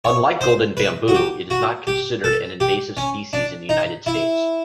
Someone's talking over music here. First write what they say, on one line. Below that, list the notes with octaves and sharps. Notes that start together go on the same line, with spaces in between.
Unlike golden bamboo, it is not considered an invasive species in the United States.
C#5
C5
B4
F#4
G4
F#4
G4
A4
G4
C#4
D4
D#4
E4